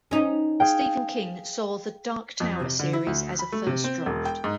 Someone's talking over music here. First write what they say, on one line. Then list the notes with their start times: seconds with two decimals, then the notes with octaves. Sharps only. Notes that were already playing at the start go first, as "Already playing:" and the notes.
Stephen King saw the "Dark Tower" series as a first draft.
0.11 C#4 D#4
0.60 G#4 F5 G5
2.40 F2
2.60 C3
2.79 D3
2.93 E4
3.07 D2
3.39 B5
3.52 A3
3.67 C3
3.84 C4
4.06 E1
4.25 G5
4.44 G#2